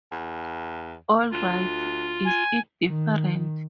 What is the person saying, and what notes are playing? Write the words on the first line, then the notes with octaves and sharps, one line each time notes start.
All right, is it different?
E2
D2 F4
G#5
D#3